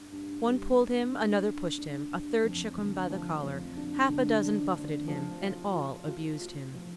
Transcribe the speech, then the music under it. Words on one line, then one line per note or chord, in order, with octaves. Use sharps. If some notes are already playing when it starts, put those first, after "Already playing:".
One pulled him, another pushed him, a third shook him by the collar, half a dozen buffeted him, and all abused him.
Already playing: G2
G2
G3
G2
D4
D4
D4
G2
F2
D3
F3
F2
D4
D3
D4
D4
F3
F4
F4
F4
F4
F3